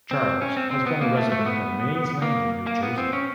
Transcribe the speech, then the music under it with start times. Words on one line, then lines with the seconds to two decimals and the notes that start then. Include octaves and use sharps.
Charles has been a resident of Mays Landing, New Jersey.
0.11 C4
0.42 C#4
0.57 C4
0.71 C4
0.87 B3
1.01 A#3
1.17 A3
1.32 A3
1.46 B3
2.22 A#3
2.67 A#3
2.83 B3
2.98 C4
3.13 C#4